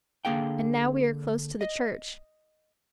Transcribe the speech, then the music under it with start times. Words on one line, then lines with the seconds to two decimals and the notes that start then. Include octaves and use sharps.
And now we are close to the church.
0.25 D3 A#3 G#4 F5 G5
1.61 D#5